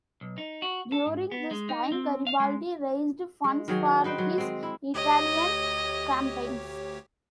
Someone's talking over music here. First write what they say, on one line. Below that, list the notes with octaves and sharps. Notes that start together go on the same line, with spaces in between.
During this time Garibaldi raised funds for his Italian campaigns.
B1
D#4
F#4
A4
G#2
B3
G#3
D#4
C4
F5
G#3
G#3
D#3 F#3 G#4
D#4 B4 C5 G5
F#3 G#3
G#3 C4
E4
D2 G4 C#5 D#5